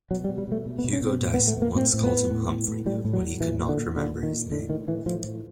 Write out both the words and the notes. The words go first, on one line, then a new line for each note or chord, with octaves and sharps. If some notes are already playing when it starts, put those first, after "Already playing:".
Hugo Dyson once called him "Humphrey" when he could not remember his name.
B2 F#3
G3
B2
G3
B2 A3
B2
B3
B2
C#4
B2 C4
A2
B3
A2
A3
A2 A#3
A2 C4
A2
B3
A2
A2
A2
A2
A2 G3
A2
F#3
A2
A#2 E3
A#2
D3
A#2
A#2 D3
A#2
D#3
A#2
A2 D3
A2 D#3
A2 E3
A2 F3
A2